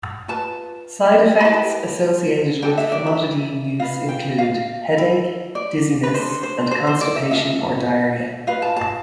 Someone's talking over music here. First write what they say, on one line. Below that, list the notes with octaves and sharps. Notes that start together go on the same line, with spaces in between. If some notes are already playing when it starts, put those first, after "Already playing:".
Side effects associated with famotidine use include headache, dizziness, and constipation or diarrhea.
F4 B4 A5
B5
E4 G4 B4 A5
D4 A4 G5
E5
D5
E5
F4 B4 F5
G5
F5
E4 B4
D5
B4
D4 A4 C5
C5
C5
C5
D5
E5
F4 A4 E5
F4 B4 F5
A5
A5